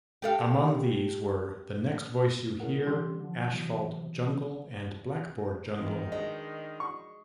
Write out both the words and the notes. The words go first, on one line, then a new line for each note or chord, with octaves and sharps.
Among these were "The Next Voice You Hear", "Asphalt Jungle", and "Blackboard Jungle".
G4 A4 F5
A#2 C#4 E4 G#4 A#4 F#5
E3 G3 C#4 G4 C6
D3 F3
C3 E3 F#3 B3
D#3 E3 C4 F4
G#3 D4 D#4 B4 D#5
C#6